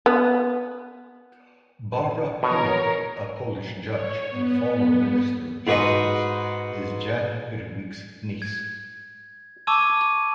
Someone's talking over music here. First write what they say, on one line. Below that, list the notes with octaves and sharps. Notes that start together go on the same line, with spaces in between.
Barbara Piwnik, a Polish judge and former minister of justice, is Jan Piwnik's niece.
B3
B2 A#4 C#5
C#5
B3
G#2 F#4 B4 D#5 F#5
G#6
A5 C#6 D6 E6 G#6 D#7